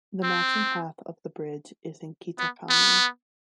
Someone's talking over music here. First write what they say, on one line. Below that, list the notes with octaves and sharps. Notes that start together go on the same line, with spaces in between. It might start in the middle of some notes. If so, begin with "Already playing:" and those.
The matching half of the bridge is in Kitakami.
C4
B3
B3